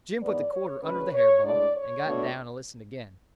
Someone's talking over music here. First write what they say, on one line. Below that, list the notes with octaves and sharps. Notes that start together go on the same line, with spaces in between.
Jim put the quarter under the hair-ball, and got down and listened again.
G#2 E3 G#3 B3 D5
C#5
D2 C#3 G#3 C#4 B4
C#5
A2 G#3 D4 D5
C#5
B2 A3 D4